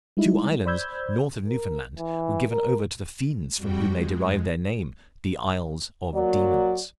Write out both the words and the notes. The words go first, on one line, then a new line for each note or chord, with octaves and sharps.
Two islands, north of Newfoundland, were given over to the fiends from whom they derived their name, the Isles of Demons.
G3 G#3 D#4 E4
C5 D5 B5 E6 G6 G#6
A#4
E3
A#4
F2 G3 F#4 G5
F2 G#3
F#3 A#3 F#4 D5